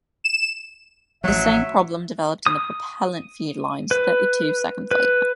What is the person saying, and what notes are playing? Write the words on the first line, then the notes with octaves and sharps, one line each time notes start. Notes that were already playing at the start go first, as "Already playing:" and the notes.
The same problem developed in the propellant feed lines thirty-two seconds later.
E7
A1 F3 F#3 E5
D#6
B4
B4